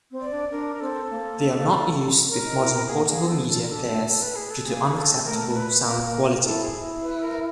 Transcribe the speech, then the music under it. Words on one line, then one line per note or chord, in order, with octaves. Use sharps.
They are not used with modern portable media players due to unacceptable sound quality.
C4
D5
D4
D4 A#4
C4 A4
A#3
C#4 A#4
D#4
E4
B3
A#3 G#4
A#3 G#4
C4
B3 A4
C#4 A4
A#4
D4 A4
A3
A4
B4
G#4
A4
A#3 G#4
G#4
A4
A3 A#4
A#4
B4
A#3 A#4
E4 A4
G#4
E4
B4
A#4